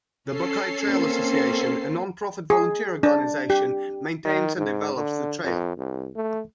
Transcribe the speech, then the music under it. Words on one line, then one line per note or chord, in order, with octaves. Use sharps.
The Buckeye Trail Association, a non-profit volunteer organization, maintains and develops the trail.
C#4 A4 C7
A#3 C4
G#4
D4
G4
D#3
G#2
D3
F2
C2
A3